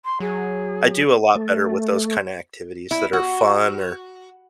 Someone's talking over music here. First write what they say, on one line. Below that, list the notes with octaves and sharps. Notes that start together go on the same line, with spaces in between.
I do a lot better with those kinda activities that are fun, or
C6
F#3 G#4
A3
E4
F#4